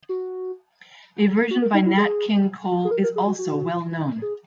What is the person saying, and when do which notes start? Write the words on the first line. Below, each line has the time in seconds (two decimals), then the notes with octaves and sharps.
A version by Nat King Cole is also well known.
0.09 F#4
1.51 F#4
1.62 A#4
1.74 D#4
1.86 E4
1.97 G#4
2.85 G#4
2.91 A#4
3.04 A#4
3.16 G#4
3.27 F#4
3.39 F#4
4.22 G#4